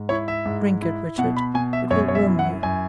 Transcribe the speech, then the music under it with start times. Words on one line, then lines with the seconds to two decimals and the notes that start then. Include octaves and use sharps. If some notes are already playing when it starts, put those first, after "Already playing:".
"Drink it, Richard, it will warm you."
Already playing: G#2
0.09 E4 C#5
0.28 E5
0.46 G#2
0.82 E4
1.18 B2 F#5
1.36 B5
1.54 B2 G#5
1.73 E5
1.91 F#2 C#5
2.08 C#5
2.15 E5
2.27 E4
2.39 F#5
2.63 F#2 G#5